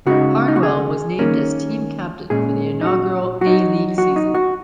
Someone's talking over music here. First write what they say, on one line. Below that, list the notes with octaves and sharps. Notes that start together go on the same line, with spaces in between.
Harnwell was named as team captain for the inaugural A-League season.
C#3 G#3 D#4 F#4
D#4
F#4
G#4
D#3 A#3 C#4
A#2 G#3 C#4 G#4
D#4
F#4
F#3 F#4
D#4
F#4
D#4
F#4